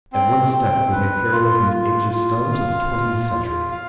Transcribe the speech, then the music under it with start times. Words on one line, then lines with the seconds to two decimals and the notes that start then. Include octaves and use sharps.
At one step we may carry them from the Age of Stone to the twentieth century.
0.13 C4
0.53 C4
0.92 B4
1.32 F4
1.72 F4
2.12 F4
2.52 F5
2.91 F4
3.31 F4
3.71 F5